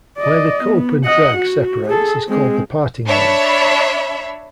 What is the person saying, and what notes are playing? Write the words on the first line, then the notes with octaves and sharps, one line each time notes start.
Where the cope and drag separates is called the parting line.
D5 D#5
B3
D#5 F#5
F#4
G#4 A4
G#3 C4
D4 C#5 E5 B5